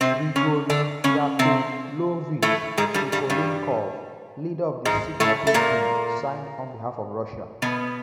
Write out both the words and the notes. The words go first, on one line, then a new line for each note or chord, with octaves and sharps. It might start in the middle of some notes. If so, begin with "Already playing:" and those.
Grigori Yakovlovich Sokolnikov, leader of the signatory team, signed on behalf of Russia.
C3 C4
C#3 C#4
D3 D4
C#3 C#4
C3 C4
A2 A3
G#2 G#3
G2 G3
G2 G3
G2 G3
G#2 G#3
A2 A3
A3
A#2 A#3
B2 B3